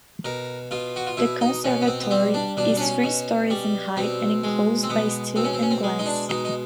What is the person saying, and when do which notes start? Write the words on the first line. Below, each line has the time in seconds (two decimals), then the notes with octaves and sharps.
The conservatory is three stories in height and enclosed by steel and glass.
0.25 B2 A#4
0.71 B2 F4
0.96 F#4
1.07 F4
1.17 B2 E4
1.41 D#4
1.64 B2 C#4
1.81 B3
1.87 C4
2.01 B3
2.11 G3 C4
2.34 D4
2.57 B2 D4
2.77 D4
2.80 C#4
3.04 B2
3.50 G3
3.97 B2 C4
4.44 G#3
4.83 C4
4.90 B2 B3
5.36 B2 C4
5.44 C#4
5.53 C4
5.62 C#4
5.71 C4
5.83 G#3
5.99 D#4
6.06 D4
6.29 B2 D#4
6.45 D#4